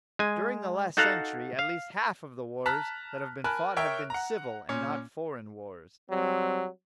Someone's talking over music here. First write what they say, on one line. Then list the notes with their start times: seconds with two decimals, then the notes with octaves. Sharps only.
During the last century at least half of the wars that have been fought have been civil and not foreign wars.
0.19 G#3 G#5
0.97 D#4 F#4 A4 F5 F#5 A#5
1.59 F5
2.66 A5 A#5 F6 F#6 B6
3.44 A#4 G#5 A5 B5 F#6
3.76 A#4 C#5 E5 G5 C#6
4.10 F#5 A#5
4.69 A#2 C#4
6.10 F#3 G3 C4